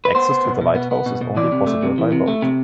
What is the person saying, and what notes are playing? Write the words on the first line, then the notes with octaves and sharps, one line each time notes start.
Access to the lighthouse is only possible by boat.
B4
B3 C5
B3
B2
B2
B3
B3
B2
B2
E3 D5
C3
A3
C3
E3
C3
A3
C3